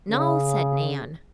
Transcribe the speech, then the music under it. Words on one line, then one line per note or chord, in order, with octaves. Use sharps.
"No," said Nan.
C#3